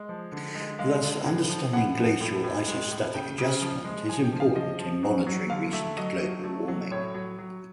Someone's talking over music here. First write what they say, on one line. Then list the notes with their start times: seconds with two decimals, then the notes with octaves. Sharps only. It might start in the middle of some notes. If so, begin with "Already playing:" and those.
Thus understanding glacial isostatic adjustment is important in monitoring recent global warming.
Already playing: G#3
0.09 F3
0.32 D3
0.55 G#3
0.79 G#3 F5
1.03 D3
1.26 A2
1.49 F3
1.73 A2 F#5
1.97 F3
2.21 A2
2.44 A2
2.67 G#3
2.91 A2
3.14 C#3 G5
3.38 C#3
3.62 F3
3.85 G#3
4.09 F3 G#5
4.24 G5
4.32 F3
4.40 F5
4.55 F3 D#5
4.79 F3
5.03 F#3
5.27 F#3
5.50 D3 F5
5.73 A3 E5
5.97 F#3 D#5
6.21 F#3
6.44 A3
6.68 F#3
6.91 A2 C#5
7.14 F#3
7.38 F#3